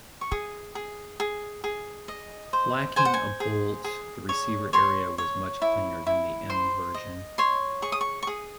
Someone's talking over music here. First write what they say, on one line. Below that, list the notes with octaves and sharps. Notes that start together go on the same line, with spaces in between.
Lacking a bolt, the receiver area was much cleaner than the M version.
C#6
G#4 D#6
G#4
G#4
G#4
D#5
C5
C5 G#5
F#5
G#5
G#4
G#4
C#5
C#5 C6
C#5
E4
E4
C5 C6
D#5
C#5 C6
G#4 C#6
D#6
C#6
C#6
G#4 D#6